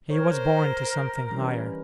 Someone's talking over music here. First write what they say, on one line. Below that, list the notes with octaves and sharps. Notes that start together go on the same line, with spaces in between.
He was born to something higher.
A#4 C5 C#5 A#5
E3 G3 C#4